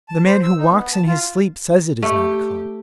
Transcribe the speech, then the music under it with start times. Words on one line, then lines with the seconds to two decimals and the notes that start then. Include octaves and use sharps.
The man who walks in his sleep says it is not a club.
0.09 A5
0.25 C5
0.43 E6
0.58 D#4
0.70 B3
0.93 A5
1.07 F4
2.03 A3 G4